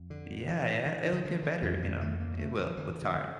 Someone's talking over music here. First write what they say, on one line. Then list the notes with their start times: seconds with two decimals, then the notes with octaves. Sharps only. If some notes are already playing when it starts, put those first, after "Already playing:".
Yeah, yeah, it'll get better, you know? It will with time.
Already playing: F2
0.10 D3
0.48 D3 E3
0.86 D3
1.13 D3
1.24 D3 E3
1.43 D3
1.62 F2 E3
1.82 G3
2.00 D2 A3
2.20 A#3
2.39 D3 A3
2.59 F3
2.77 D3 E3
3.02 D3
3.15 D3